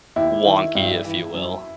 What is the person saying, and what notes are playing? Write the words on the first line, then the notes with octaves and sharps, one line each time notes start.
wonky, if you will?
D#2 E4
D#3
G2
E3
F#2